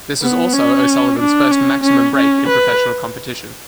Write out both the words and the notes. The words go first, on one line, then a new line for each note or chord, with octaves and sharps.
This was also O'Sullivan's first maximum break in professional competition.
B3
C#4
D4
C#4
C#4
C#4
B4